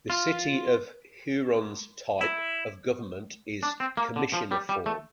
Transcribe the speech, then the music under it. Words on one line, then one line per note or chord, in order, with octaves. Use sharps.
The City of Huron's type of government is "commissioner form".
F4
E4
D4
C4
A#3
D3
F3
G3
G3
A3